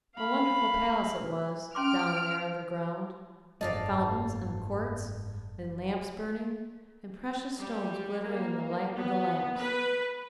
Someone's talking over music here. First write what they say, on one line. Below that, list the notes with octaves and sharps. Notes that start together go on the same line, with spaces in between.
A wonderful palace it was, down there underground, with fountains and courts, and lamps burning, and precious stones glittering in the light of the lamps.
F5 B5
C#4 C6 D6 F6 D7
F#1 G#2 A4 D5 D#5 F5 A5
G3
A#3
B3
B4